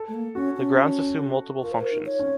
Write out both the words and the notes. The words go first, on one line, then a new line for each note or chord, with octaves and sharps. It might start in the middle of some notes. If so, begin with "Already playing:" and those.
The grounds assume multiple functions.
Already playing: A4
A3
A#3
C#4 F#4
C#4
F4 A#4
C5
A#4
D#4
C#5
C#4